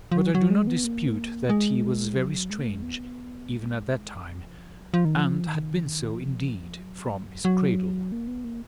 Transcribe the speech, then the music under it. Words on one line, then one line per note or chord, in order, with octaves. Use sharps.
But I do not dispute that he was very strange even at that time, and had been so indeed from his cradle.
F3
F#3
F#3
G#3
B3
A#3
G#3
F#3
G#3
A#3
G#3
B3
G#3
F3
F#3
F3
D#3
F3
D#3
F3
F#3
F#3
A#3
B3
A#3